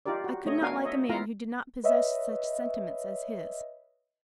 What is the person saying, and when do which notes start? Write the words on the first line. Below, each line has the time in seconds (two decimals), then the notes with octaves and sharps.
I could not like a man who did not possess such sentiments as his.
0.06 D#4 F4 G4 A#4 D5
0.24 F#4
0.46 A3 C#5 D#5
0.61 B3 D4 F#4 A#4 F5 G#5
0.83 C#5 D#5 E5
1.09 B3 E4 F4 A#4 F5 A#5
1.84 B4 C#5 D#5 E5